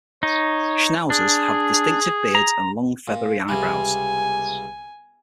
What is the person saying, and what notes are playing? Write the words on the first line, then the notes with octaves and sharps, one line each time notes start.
Schnauzers have distinctive beards and long, feathery eyebrows.
D#4 C#5
D4 G#4
A#5
A#2
C#2 C3 G3 G#5